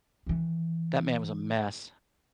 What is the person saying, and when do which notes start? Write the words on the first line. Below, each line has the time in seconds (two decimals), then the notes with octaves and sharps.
That man was a mess,
0.27 D#3 E3